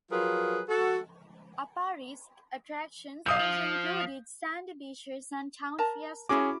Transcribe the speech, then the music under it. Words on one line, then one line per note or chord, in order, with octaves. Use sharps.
Aparri's attractions also include its sandy beaches and town fiesta.
F3 F#3 F4 G#4 A#4 B4
F#4 A4
B1 F5 D#6 G6
F3
A#4 A5 A#5
C#4 E4 F#4 G#4 D6